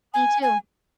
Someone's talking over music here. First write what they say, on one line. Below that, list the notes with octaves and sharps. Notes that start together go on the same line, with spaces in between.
Me, too.
G#5
G#5